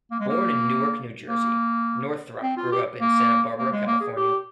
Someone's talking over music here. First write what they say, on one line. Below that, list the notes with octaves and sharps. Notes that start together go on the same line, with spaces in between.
Born in Newark, New Jersey, Northrop grew up in Santa Barbara, California.
A#3
G#3
A#3
A#3
C4
F4
G4
A#3
A#3
G#3
A#3
G#4
G4